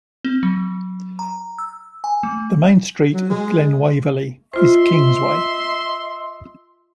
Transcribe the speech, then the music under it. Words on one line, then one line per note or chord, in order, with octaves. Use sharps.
The main street of Glen Waverley is Kingsway.
C4
F#3
A#5
E6
G#5
A3
F#3
G#3
F4 C5 D#5 E5 C6